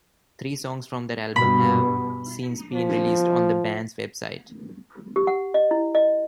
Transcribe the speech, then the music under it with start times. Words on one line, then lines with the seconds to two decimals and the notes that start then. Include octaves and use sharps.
Three songs from that album have since been released on the band's website.
1.36 G2 B2 B5
2.75 F3
5.16 G4
5.27 F#5
5.54 D#5
5.71 E4
5.95 D#5